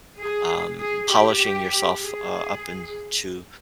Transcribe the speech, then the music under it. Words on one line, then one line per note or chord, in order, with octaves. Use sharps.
um, polishing yourself, uh, up into
G#4
G#4
G4
G4
G#4